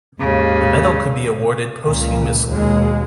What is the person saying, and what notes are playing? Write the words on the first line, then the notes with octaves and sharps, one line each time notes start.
The medal could be awarded posthumously.
D#2 G#2 C#3
C#2 A#2
D#2 B2 G#3